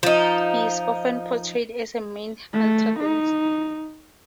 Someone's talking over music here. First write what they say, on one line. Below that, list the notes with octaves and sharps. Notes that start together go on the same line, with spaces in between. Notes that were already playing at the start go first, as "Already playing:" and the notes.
He is often portrayed as the main antagonist.
F3 D#4
A3
D#4